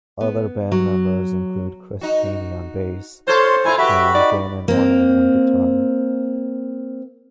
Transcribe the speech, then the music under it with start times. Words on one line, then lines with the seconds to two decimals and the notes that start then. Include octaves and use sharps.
Other band members include Chris Chaney on bass and Gannin Arnold on guitar.
0.21 B3
0.72 F#3
2.01 D#4 F#4
3.28 F4 A4 C5 C#5 C6
3.65 A#2 E4 F4 G#5
3.78 F#4 G4 B4 E5 B5
4.15 D#4 D5
4.68 A#3 C4